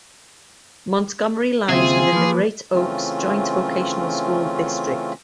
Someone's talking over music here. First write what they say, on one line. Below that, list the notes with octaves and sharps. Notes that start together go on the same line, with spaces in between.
Montgomery lies within the Great Oaks joint vocational school district.
D#2 C#3 C4 F4 G#4 E5
F3 A#3 B4
C#3 E3 A3 C4 C#4 F4